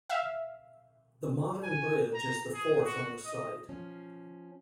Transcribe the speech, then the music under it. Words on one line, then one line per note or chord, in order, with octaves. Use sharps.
The modern bridge is the fourth on the site.
E5 F5
G#5
A#5
G#4
F#4
D#5
F3 C#4